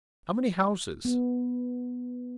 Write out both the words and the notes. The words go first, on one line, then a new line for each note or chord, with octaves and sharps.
How many houses?
B3